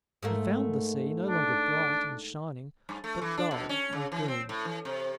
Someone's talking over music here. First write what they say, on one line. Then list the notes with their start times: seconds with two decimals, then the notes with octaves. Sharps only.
He found the sea no longer bright and shining, but dull and green.
0.23 G#2 A3 A#3
1.29 D4
2.89 G2
3.04 A3
3.22 E3
3.38 D4
3.51 B2
3.69 C#4
3.93 C#3
4.12 E3
4.28 C4
4.49 A2
4.65 E3
4.85 C3